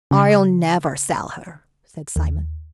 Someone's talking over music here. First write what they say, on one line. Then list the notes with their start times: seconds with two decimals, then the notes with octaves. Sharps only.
"I'll never sell her," said Simon.
0.11 C#3
2.16 D#2